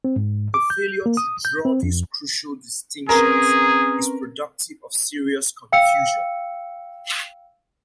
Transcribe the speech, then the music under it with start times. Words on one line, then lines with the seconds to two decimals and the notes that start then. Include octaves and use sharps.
The failure to draw these crucial distinctions is productive of serious confusion.
0.04 C4
0.16 G#2
0.54 D6
0.70 G6
1.06 A#3
1.17 D#6
1.45 G6
1.65 C4
1.83 F2
3.09 C4 C#4 G#4 A#4 B4
5.72 F5 G5 E6 C#7